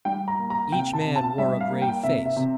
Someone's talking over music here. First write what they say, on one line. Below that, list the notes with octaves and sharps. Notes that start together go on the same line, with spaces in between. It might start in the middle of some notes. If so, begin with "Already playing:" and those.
Each man wore a grave face.
G3 G5
A#5
A#3
A#5
C3 G5
A5
C3
A5
G3 E5
F5
A#3
G5
C3 E5
E5
C3